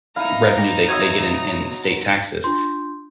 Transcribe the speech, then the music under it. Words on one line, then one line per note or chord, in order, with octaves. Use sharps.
revenue they they get in in state taxes,
D#4 E4 F5 A#5 E7
D5 G5 A#6
F#4 C5 C#5 E5 D#6 G#6
D4 F4 C6 G6